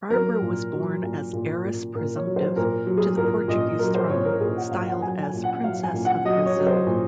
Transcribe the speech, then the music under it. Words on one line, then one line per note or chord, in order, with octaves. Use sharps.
Barbara was born as heiress-presumptive to the Portuguese throne, styled as Princess of Brazil.
F#3 A#4
A#2
F#3
A#2
A#2
A#2
A#2 A#4
C#5
F#3
C5
A#2 A#4
F#3
G#4
A#2 A#4
A#2 D#5
F#3 A#4
C5
A#2 C#5
A#4
A#2 G#4
F#5
A#2 F5
F#5
F#3 G#5
G#5
A#2
F#5
F#3 F5
G#5
A#2
F#5
F#3 D#5
C#5
F#3
C5
A#2